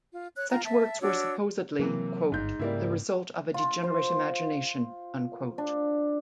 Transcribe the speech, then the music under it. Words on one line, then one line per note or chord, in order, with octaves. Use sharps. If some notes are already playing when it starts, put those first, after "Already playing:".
Such works were supposedly "the result of a degenerate imagination".
F4
C#5 F#6
F4 A#5
E5 A5
D4 F#4 C#5 E6
C3 E3 F#3 A#3
G1 G#2 G6
G#2 C#3 G3 A#3 E4
F4
C5
D4